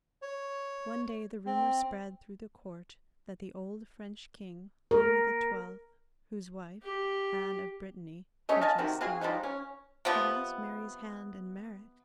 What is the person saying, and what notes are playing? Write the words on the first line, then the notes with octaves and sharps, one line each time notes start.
One day the rumor spread through the court that the old French king, Louis XII, whose wife, Anne of Brittany, had just died, had asked Mary's hand in marriage.
C#5
C4
A#4
G4
A3 C#4 C#5 D#5
D#5 F5 G#5 A5
C3 D#3 F#4
C4 F4 F#4 G#4
F3 G3 G#3 D#4
C#4
C3 F3 B3